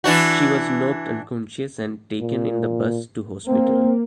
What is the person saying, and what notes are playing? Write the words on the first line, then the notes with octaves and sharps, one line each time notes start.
She was knocked unconscious and taken in the bus to hospital.
E3 D4 F#4
A#2
A#3 C4